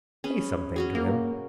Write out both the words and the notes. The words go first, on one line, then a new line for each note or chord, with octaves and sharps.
Say something to him.
C#4 G#4 B4
C#4 F#4 G#4
A#3 A#4